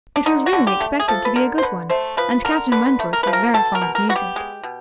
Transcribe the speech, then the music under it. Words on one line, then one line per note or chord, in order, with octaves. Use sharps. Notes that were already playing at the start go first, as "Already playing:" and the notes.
It was really expected to be a good one, and Captain Wentworth was very fond of music.
D4
D3 D#4
F#4
D3
G4
A3
G#4
F3 A4
B4
D3 A#4
C5
D3 B4
A3 C5
F3 B4
D3 A#4
D3 B4
A3
A#4
F3 B4
A#4
B2 A4
A#4
B2
A#4
B3 F#4
G4
G#3
B2